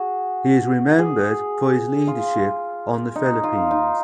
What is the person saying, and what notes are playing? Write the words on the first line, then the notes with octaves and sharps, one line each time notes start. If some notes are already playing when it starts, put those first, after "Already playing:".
He is remembered for his leadership on the Philippines.
Already playing: F#4 G#4
G#4
F4
D#4
F4
D#4